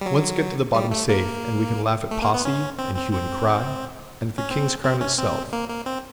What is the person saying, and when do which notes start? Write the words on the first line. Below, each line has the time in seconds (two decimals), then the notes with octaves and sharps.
Once get to the bottom safe, and we can laugh at Posse, and hue and cry, and at the King's Crown itself.
0.01 G3
0.06 F#3
0.74 G3
0.91 A3
1.09 A#3
2.11 A3
2.22 A#3
2.34 B3
2.45 C#4
2.79 C4
2.96 C4
3.13 C4
4.38 C#4
4.51 C4
4.84 C4
5.01 C#4
5.18 C4
5.53 A#3
5.69 A#3
5.86 C4